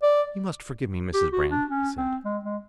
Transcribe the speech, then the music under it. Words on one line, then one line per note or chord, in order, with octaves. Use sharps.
"You must forgive me, Mrs. Brand," he said.
D5
G4
F#4
D4
C#4
C4
G#3
G#3